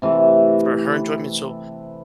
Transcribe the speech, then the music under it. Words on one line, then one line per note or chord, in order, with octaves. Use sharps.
for her enjoyment, so,
C3 E3 A3